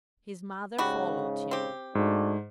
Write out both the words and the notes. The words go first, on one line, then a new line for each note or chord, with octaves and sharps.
His mother followed him.
G#2 C#3 G3 F#4
C4 G4
G#2 A3 D4 F#4